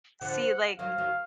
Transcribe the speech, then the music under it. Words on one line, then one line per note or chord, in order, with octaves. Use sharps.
see, like
D3 F3 F#5
D#3 F#3 F5
D#3 F#3